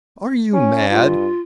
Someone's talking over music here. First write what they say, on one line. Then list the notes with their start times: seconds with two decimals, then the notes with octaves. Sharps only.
"Are you mad?"
0.54 C#4
0.90 G2 F4